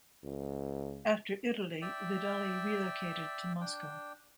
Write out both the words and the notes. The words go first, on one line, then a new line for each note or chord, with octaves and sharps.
After Italy, Vidali relocated to Moscow.
C#2
D5 E5 G5
D4 G5